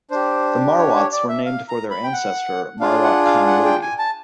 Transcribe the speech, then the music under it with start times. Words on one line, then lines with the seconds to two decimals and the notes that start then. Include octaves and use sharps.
The Marwats were named for their ancestor Marwat Khan Lodi.
0.11 D4 G4 C5
0.78 C#5
0.96 C#5
1.12 D5
1.29 E5
1.46 F5
1.69 A#5
1.90 B5
2.04 G5
2.13 F#5
2.80 D4 F4 G#4 F5
3.04 F#5
3.26 F5
3.47 F#5
3.65 G5
3.82 G#5
3.99 A5